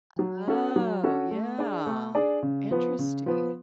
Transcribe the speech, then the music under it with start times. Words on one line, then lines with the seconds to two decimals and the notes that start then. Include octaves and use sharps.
Oh, yeah, interesting.
0.19 F#3
0.48 C#4 F#4 A4
0.76 F#3
1.04 C#4 F#4 A4
1.31 A3
1.59 D4 G#4 D5
1.87 A3
2.15 D4 G#4 D5
2.43 C#3
2.71 F3 B3
2.99 C#3
3.26 F3 B3